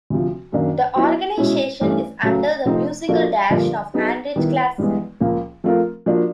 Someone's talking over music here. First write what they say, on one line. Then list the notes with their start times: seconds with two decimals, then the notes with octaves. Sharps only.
The organization is under the musical direction of Hanrich Claassen.
0.10 D2 C3 F3
0.52 F#2 D#3 F#3 A#3 D4
0.96 F#3 B3 E4
1.37 B2 G#3 C#4 E4
1.81 G2 E3 A3 C#4
2.23 C#3 F#3 A3
2.65 C3 F3 A3 C4 D#4
3.08 F3 A#3 D4 F#4 A4
3.50 G2 D3 F3 A#3 D4
3.94 F#3 B3 D#4 G#4
4.36 D#3 G3 B3 E4
4.78 G2 E3 G#3 B3
5.20 C#2 C#3 F3 A#3
5.64 F3 A3 C4 F4 A#4
6.06 F3 A#3 D4 F#4